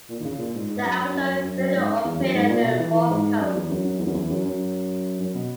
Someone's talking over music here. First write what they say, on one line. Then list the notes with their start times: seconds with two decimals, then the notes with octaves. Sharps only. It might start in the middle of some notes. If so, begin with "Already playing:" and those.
The amateur radio operator learned Morse Code.
0.10 A#2
0.20 D#3
0.25 C#3
0.39 A#2
0.55 G#2
0.70 G#2
0.84 F#2
0.99 F#2
1.15 F#2
1.30 F#2
1.44 F#2
1.59 F#2
1.75 G#2
2.04 E2
2.20 F#2
2.35 G#2
2.50 A#2
2.64 B2
2.79 E3
2.94 E3
3.10 G#2
3.40 F#2
3.55 E2
3.70 F#2
3.84 F#2
4.00 E2
4.07 F#2
4.14 E2
4.30 F#2
4.45 F#2
5.20 F#2
5.35 B2